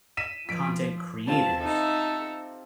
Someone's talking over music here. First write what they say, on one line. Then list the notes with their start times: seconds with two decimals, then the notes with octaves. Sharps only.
content creators
0.17 B6 D#7 E7
0.49 F3 B6 D7
1.27 C3 C4 F4 A5
1.60 D#4 A4 E5